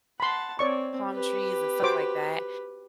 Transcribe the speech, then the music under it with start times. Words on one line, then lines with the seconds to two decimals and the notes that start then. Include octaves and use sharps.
palm trees and stuff like that.
0.20 F#5 A5 B5 C6
0.59 C4 C#5 D5 C#6
1.09 G4 B4
1.82 F#4 C5 D6